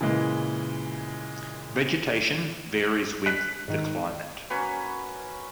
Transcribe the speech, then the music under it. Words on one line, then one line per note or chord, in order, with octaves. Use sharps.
Vegetation varies with the climate.
A#2 C#3 E3 G#3
F#6 B6
G#2 D#3
A#3 C#4 F#4 B4 G#5